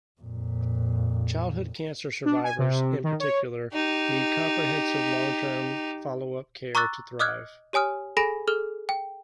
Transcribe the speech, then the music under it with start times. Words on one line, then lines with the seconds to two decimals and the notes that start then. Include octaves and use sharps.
Childhood cancer survivors, in particular, need comprehensive long-term follow-up care to thrive.
0.21 F2 A#2
2.25 D4
2.44 G#5
2.58 C3
3.04 D#3
3.20 C#5
3.73 D#4 G4
6.75 A#5 C#6 D6 E6 F#6 A6
7.19 D#5 D6 D#6 F6 F#6 G#6
7.73 G4 C#5 G#5 D#6 F6
8.17 G#4 A4 G#5 B5 A#6 D7
8.47 G#4 A4 F6 G7
8.89 G5